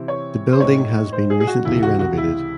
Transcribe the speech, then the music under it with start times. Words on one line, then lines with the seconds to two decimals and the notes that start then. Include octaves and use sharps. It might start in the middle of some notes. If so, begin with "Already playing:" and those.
The building has been recently renovated.
Already playing: C3 E3 C4 E4
0.08 C#5
0.53 C5
0.60 A2 G#3 D#4 C#5
1.13 C5
1.30 G#4
1.40 G#4
1.47 F#4
1.65 C#2 C3 E3 E4
1.83 F#4
1.99 F#4
2.18 E4